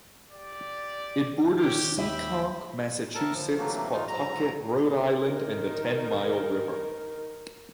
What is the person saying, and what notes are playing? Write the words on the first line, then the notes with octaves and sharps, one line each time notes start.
It borders Seekonk, Massachusetts, Pawtucket, Rhode Island and the Ten Mile River.
G4 D5
D#3 G4 C#5 G5
D#2 D#5 E5 G5 B5
A2 A4 A#4 A5
F3
C3 E3 F#3 A3 A#3
E3 D#4 F4
G#2 F#3 A#5
D#3 A#4